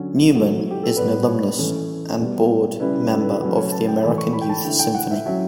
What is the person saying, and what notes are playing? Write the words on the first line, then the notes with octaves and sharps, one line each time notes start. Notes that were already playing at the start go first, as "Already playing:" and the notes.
Newman is an alumnus and Board Member of the American Youth Symphony.
Already playing: D3 F#3 C#4
F#3 A3 E4
G4
A4
A2 G3 B3 B4
C#5
E3 A3 C#4
B2 G3 B3
C#3 G3 C#4 E4 B4
B4
A4
B4
C#3 F#3 A3 C#4 B4
C#5
A5
G5
E3 A3 E4 B5
C#6
B5
G5
A5
D3 A3 E4 G5
G5
F#5
E5
F#3 C#4 E4 E5